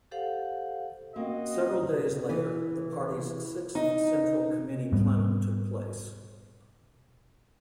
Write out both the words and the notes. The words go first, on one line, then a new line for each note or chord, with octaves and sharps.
Several days later the party's Sixth Central Committee plenum took place.
G4 A4 C5 F5 F#5
A#3 C4 C#4 F#4 D#5 G5
E3
D#4
G#2 G3 B3